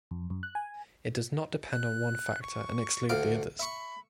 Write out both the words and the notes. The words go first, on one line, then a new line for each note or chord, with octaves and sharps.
It does not depend on one factor and exclude the others.
F2
F#2
F#6
G#5
F#6
C#6
D2 F5 F#5 D6
E5 B5 C#6